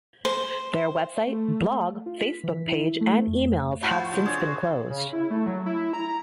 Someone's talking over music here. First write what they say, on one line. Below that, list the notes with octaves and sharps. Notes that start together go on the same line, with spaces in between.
Their website, blog, Facebook page, and emails have since been closed.
C5
A3
F4
B6
E3
E4
A3
F2
A2 F#4 C5 E5
F3
C#3 E3 F#3
D4 G#4 C#5
F#4
C#3
E4
A3
F#3
E4
A#5